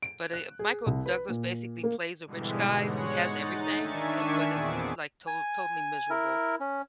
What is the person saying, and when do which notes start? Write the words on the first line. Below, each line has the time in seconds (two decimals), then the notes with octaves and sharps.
but, eh, Michael Douglas basically plays a rich guy who has everything, eh but it's like to totally miserable,
0.02 D7
0.33 F#6
0.59 G#4
0.86 C2
1.06 B4
1.29 A#2
1.84 A#3
2.26 G#2 B2 D3 E3 G3 G#3
2.81 G#3 C#5 F#5
3.21 D#4 A6
3.75 D#3 D4 E5 G#5 C#6
4.50 E2 A#2 B3 C4 G#4 D6
5.27 G#5
6.10 E4 A#4
6.60 C#4